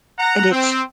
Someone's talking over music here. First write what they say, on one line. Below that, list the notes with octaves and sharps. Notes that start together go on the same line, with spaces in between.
and it's
F#5 A#5
C4